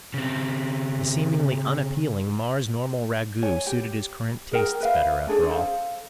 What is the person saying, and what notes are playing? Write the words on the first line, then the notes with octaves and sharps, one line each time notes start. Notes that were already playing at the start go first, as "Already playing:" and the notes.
The seemingly unappealing Mars-normal ragout suited his current tastes better, after all.
C#3 C4
C#5 G#5
G4
G#4 A#4 G5
B4 E5 F5
C#4 D4 G#4 A4
A4 C5 F5